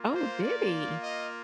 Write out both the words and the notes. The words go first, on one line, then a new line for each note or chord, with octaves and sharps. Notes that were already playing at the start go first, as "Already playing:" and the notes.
Oh, did he?
Already playing: A#3 F4
C5
D5
D#5